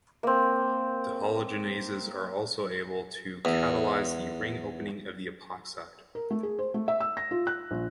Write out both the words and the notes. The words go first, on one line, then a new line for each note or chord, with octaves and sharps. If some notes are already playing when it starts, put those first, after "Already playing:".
Dehalogenases are also able to catalyze the ring-opening of the epoxide.
A#3 C4
E2
A#4
A3
G#4
C5
A3
E5
E6
A#6
F4
F#6
A#1